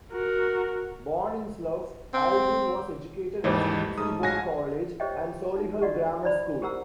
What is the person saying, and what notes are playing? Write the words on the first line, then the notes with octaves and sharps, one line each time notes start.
Born in Slough, Aldin was educated at Eastbourne College and Solihull Grammar School.
F#4 A#4
C4
D#2 G#2 E3 G3 D#5
G#2 A3 C#4 D#6
F#4 C#5 F5 G#5 A#6
G4 C5 C#5 D#5 E5 G5
D#4
F4 F#4 D5 D#5 F#5 C#6
E4 C5 D5 B5
G4 A#4 C5 F#5 A#5 E6